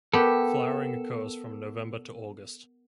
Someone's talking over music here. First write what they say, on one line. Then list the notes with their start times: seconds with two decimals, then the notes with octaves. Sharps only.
Flowering occurs from November to August.
0.14 B3 G4 A4 A#4